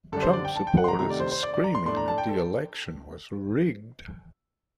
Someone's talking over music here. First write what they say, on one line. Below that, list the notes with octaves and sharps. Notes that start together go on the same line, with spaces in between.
Trump supporters are screaming that the election was rigged.
F#2 D3 G3 D4 A4
C5
D5
G5
A5
G5
F#5
C6
A#5
C3 D#3 A3 A#5
D5
C5
C5
D5
D5
A#5
C6
A2 A3 D4 C6
A#5
A5
G5
A4